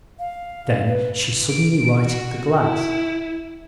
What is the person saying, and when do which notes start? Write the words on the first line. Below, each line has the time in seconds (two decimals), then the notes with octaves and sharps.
Then she suddenly righted the glass.
0.19 F5
0.86 B4
1.50 D7
1.98 F#4
2.60 E4